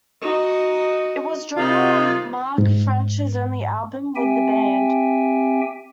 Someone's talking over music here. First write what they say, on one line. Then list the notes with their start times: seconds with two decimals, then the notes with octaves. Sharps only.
It was drummer Mark French's only album with the band.
0.22 D#4 F#4
1.57 C3 D#3 D#4 F4
2.58 G#2
4.16 C4 G4 E5 G5 G#5